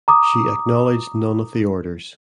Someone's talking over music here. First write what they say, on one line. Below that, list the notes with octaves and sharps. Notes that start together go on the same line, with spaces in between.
She acknowledged none of the orders.
A#5 D6 D#6